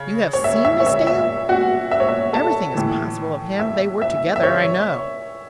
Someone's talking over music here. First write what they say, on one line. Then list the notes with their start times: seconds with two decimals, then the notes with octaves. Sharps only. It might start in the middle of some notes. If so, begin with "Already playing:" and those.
You have seen Miss Dale? Everything is possible of him: they were together, I know.
Already playing: C#3
0.33 C#5
0.44 E5
0.65 E5
0.80 C#5
0.86 E5
1.07 E5
1.49 F#4 F#5
1.91 E5
2.00 C#5
2.09 E5
2.33 A4 A5
2.75 A2 E3
3.59 E5
4.02 E5
4.36 E5
4.43 C#5